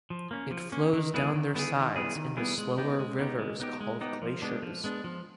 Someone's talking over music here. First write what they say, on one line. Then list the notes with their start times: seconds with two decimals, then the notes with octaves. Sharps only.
It flows down their sides in the slower rivers called glaciers.
0.10 F3
0.31 A#3 C#4
0.51 F3
0.72 A#3 C#4
0.93 D#3
1.14 G3 B3 E4 G#4
1.34 D#3
1.55 G3 B3 E4 G#4
1.74 D#3
1.96 G3 B3 E4 G#4
2.16 D#3
2.37 G3 B3 E4 G#4
2.58 G#3
2.78 B3 D#4 G4
2.99 G#3
3.19 B3 D#4 G4
3.39 G#3
3.60 B3 D#4 G4
3.81 G#3
4.01 B3 D#4 G4
4.22 F3
4.42 G#3 B3 D4
4.62 F3
4.84 G#3 B3 D4
5.04 F3